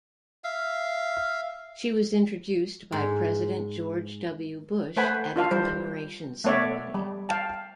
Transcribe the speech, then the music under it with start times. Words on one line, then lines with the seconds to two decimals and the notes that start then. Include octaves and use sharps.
She was introduced by President George W. Bush at a commemoration ceremony.
0.44 E5 F5
2.92 G#2
4.97 A3 B4 C5 F#5 G#5 B5
5.36 D4 F4 F5 A5
5.51 G3 C5
6.44 A3 B3 C#5 D5 E5
6.94 G3
7.29 F5 G5 A5